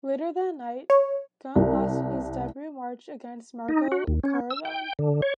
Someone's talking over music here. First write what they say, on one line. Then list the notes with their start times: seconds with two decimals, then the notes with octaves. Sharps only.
Later that night, Gunn lost in his debut match against Marco Corleone.
0.90 C#5
1.56 C2
3.69 D#4
3.92 F#4
4.07 D#2
4.24 C#4
4.51 E6
4.65 G5
4.99 D3
5.22 C#5